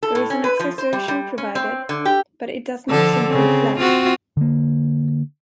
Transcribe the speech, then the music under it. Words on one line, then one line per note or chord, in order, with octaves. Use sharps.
There is an accessory shoe provided, but it does not sync with flash.
A4
A2
C#4
B4
F3
C5
G3
G3
C#4
C4
D3
G4
D3 F3 A4
C#3 C4
C4 F4 F#4
D3 A#3